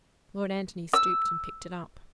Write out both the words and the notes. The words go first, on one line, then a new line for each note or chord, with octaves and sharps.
Lord Antony stooped and picked it up.
E6